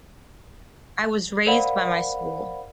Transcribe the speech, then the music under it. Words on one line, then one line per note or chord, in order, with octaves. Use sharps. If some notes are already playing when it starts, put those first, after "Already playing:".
I was raised by my school.
A#4 C5 D5 F5 F#5 B5